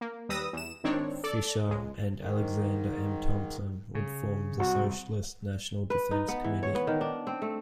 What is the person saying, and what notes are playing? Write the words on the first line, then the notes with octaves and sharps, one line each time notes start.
Fisher, and Alexander M. Thompson, would form the Socialist National Defence Committee.
A#3
D#2 G3 B4 D#6 E6 A#6
E2 E7
G#1 D#3 C4 D4 C#5
A4 D5
C#2 G#3
G#2 D#3
C#3
C2 F#4
B4
D#4
B3
E3
C#5
B3
D#3
D4
C4
A3